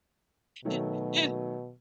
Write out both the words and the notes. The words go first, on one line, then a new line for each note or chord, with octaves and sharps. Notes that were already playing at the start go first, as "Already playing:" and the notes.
It it
B2 D#3 F#3 A3